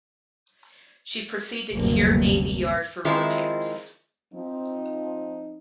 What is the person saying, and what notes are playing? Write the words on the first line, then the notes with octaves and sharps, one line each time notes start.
She proceeded to Kure Navy Yard for repairs.
F#1 D2 G2 C3 A#3
D#3 F3 G#3 C4 E4 F4
F3 C4 D#4